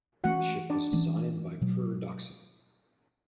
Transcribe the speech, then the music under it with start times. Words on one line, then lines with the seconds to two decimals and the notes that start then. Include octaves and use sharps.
The ship was designed by Per Dockson.
0.24 E3 A3 C#4 F#4 F#5
0.70 D4 D5
0.93 E3 A3 C#4
1.61 B2 F#3